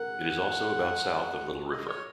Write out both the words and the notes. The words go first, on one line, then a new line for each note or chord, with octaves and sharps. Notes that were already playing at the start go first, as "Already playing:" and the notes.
It is also about south of Little River.
Already playing: A#4 F#5
D#5
C#5